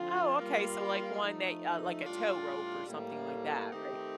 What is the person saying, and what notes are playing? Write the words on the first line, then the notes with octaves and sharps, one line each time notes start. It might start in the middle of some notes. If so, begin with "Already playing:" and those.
Oh, okay, so, like, one that uh, like, a tow rope or something like that, right?
Already playing: D3 F3 C4 F4
G3 A#3 F4
F3 A3 D#4
A2 G3 D4 F4
A2 G3 A#3
D#3 A3 C4 D#4 G4